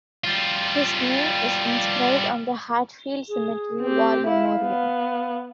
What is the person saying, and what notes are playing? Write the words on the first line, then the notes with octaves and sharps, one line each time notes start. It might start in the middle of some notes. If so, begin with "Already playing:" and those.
His name is inscribed on the Hatfield Cemetery War Memorial.
G3 F4
G#4
C4 G4
E4 E5 F5
B3